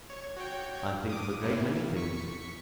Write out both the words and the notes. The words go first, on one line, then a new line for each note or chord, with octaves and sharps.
I think of a great many things.
C#5
F#4 C#5 G5
D6 D#6
C3 A#3 E4
C#6 B6 C#7